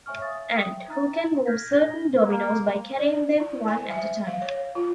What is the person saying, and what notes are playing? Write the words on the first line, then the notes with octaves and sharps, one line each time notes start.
Ant, who can move certain dominoes by carrying them one at a time.
C#5 E5 G#5 C#6 F6
E5 F5 D#6 A6
E5 G5 D#6
D#4 A#5 A6
F6 G6 G#6 A#6 B6
D4 A4 A#6 G7
A#3
D5
E4
G#5
E5
F5
C#5
F4